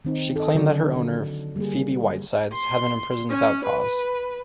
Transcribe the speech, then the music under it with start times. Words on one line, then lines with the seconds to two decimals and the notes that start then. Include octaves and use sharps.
She claimed that her owner Phoebe Whitesides had been imprisoned without cause.
0.05 D#3 C4 D#4
0.36 A4 D#5
0.55 D3 F#3 F#4 D5
1.56 G3 A#3 G#4
2.53 C6
3.29 C#4
3.64 B4